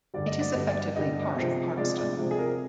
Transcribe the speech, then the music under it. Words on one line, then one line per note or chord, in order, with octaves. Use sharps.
It is effectively part of Parkstone.
G2 D3 G3 D5
D#5
D5
G2 D3 G3 D#5
D5
G2 D3 G3 D#5
C3 F3 G#3
C3 F3 G#3 D5
D5
C3 F3 G#3
G#4
A#4